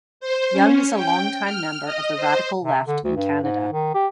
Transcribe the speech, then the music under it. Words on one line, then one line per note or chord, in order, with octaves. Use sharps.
Young is a longtime member of the radical left in Canada.
C5
C#4
G5
F6
D#5
C5
C3
D3
D2
G2
G#2
D#3
G4